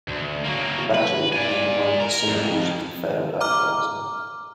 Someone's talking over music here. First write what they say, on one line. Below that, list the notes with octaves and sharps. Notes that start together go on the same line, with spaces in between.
The battle became one of the symbols of the failed uprising.
D2
F#3 A#3
B4
D5 G#5
A#4
F2
A#5 D6 F6